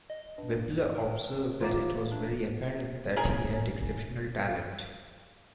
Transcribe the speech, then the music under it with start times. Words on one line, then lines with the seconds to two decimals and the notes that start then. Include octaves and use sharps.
Wippler observed that It was very apparent that he had exceptional talent.
0.10 D#5
0.38 G2
0.95 A#4
1.60 E3 A#3 F4 D5
2.12 D4
3.17 C#4 G#4 A#4 G#5